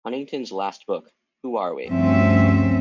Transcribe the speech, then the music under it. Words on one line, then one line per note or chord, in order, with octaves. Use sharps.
Huntington's last book, Who Are We?
D2 G2 F3 C4 C#4 E5